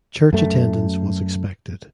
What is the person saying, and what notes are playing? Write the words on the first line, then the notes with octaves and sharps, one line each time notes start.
Church attendance was expected.
F#2 A3